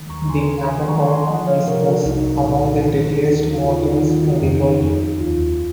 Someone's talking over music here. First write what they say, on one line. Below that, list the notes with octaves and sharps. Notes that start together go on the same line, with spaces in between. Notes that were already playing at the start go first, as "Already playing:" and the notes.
The Matterhorn is thus amongst the deadliest mountains in the world.
Already playing: D#3
D#2 A#5 C#6
G#5 C6
D#3 G#5 C6
G#5 C6
D#3 A#5 C#6
G#5 C6
F3 D#5 F#5
C#5 F5
C3 A#4 C#5
F#4 A#4
C2 D#4 F#4
A#2
D#3
D#2
D#2 F4
D#4
D#3 F4
D#4 F#4
F2
F2
D#2 F4